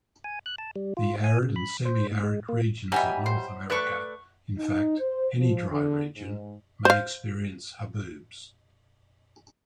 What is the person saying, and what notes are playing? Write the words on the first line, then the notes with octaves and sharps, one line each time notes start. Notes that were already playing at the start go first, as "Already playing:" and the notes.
The arid and semiarid regions of North America-in fact, any dry region-may experience haboobs.
G#5
F#6
A5
G3
F4
G#5
C#3
B5
C5
A2
G#3
A#3
B2 E3 F#3 G3 E5 F#5 G#5 B5
C5 C6
A3 B4 D5 C#6 F#6
D#4
C5
F3
D3
G#2
C5 F5